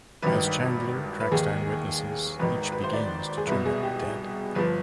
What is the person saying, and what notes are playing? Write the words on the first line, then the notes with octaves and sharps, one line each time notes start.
As Chandler tracks down witnesses, each begins to turn up dead.
G#1 G2 D#3 B4
B4
D#2 D#3 G#4
G#1 G#2 D#3 B4
B4
C5
D5
G#4
C2 B2 B4
G#4
G4
G1 F3 B4